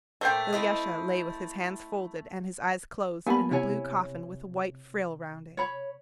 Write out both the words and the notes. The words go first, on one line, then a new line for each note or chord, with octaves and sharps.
Ilusha lay with his hands folded and his eyes closed in a blue coffin with a white frill round it.
A#2 A3 A#4 C5 G5
C4 E4 D#5
G3 A#3 B3 G#5 A5 B5
C3 E4 C#5 G#5
C#5 B5